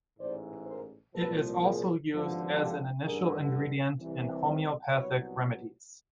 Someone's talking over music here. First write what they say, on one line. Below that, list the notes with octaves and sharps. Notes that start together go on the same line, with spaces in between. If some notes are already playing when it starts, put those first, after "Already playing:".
It is also used as an initial ingredient in homeopathic remedies.
A1 G#2 E3 C5 D5
A#4 C5
C2 A#2 F3 A4 B4
G#4 A#4
G#1 G2 D3 F3
G4 A4
A1 G2 D3 G#4 A#4
C2 C3 E3
C2 B2 F#3 B4 C#5